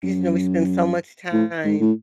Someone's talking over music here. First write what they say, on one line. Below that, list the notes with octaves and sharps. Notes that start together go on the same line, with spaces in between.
'cause, you know we spend so much time
F#2
A2
G#2
A2